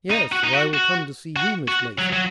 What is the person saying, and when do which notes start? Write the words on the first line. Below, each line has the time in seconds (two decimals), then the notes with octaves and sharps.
"Yes, or I will come to see you, Miss Mason."
0.11 D#4
0.32 F#4
0.44 D#4
0.53 F#4
0.74 F#4
1.36 F#4
1.68 F#4
1.99 F#3
2.13 F#3